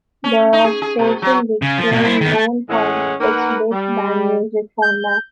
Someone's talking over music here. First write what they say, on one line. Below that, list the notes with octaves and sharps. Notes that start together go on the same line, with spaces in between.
The station became known for its Big Band music format.
C#4
D#4
G#4
G#4
B2
F#3
C#3
F3
B2 A#3
E4 C5
D#3 B3
A3
A2 E3 G#3 C#4 G#4 F#5
A#3 D#4 A#4 B4 F#5
G3
G6